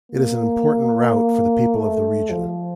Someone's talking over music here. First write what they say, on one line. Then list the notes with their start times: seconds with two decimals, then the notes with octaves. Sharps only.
It is an important route for the people of the region.
0.12 A#3
1.75 A3
2.30 F3